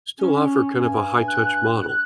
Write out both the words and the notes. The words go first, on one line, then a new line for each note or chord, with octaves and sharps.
still offer kind of a high touch model.
C#4
G2 G#5
F#6